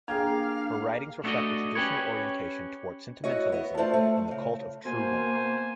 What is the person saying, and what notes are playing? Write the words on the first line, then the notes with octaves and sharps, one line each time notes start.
Her writings reflect a traditional orientation toward sentimentalism and the cult of true womanhood.
A#3 D4 G4 G#4 F5 G5 G#6
A3 B3 D4 F#4 D5 D#5
C#4 G4 B4 C#5
E4 F#4 C#5 D#5
B3 D#5
A3 D4 F4 C5 D5 A5
A3
C#3
B2 A#3 C5 G#5